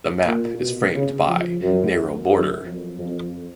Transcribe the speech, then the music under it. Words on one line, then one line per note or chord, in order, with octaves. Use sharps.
The map is framed by narrow border.
A#2
B2
C#3
F3
F#2
F#2
F2
F2